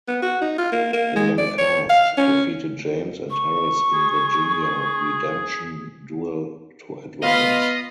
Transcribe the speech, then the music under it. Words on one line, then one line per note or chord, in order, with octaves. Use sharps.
The Young Cast defeated James and Harris in the Junior Redemption Duel to advance.
B3
F#4
D#4
F4
A#3
A#3
G#3
D5
C#5
F5
C#4
C#6
G#4
B3 F4 D#5 F5 B5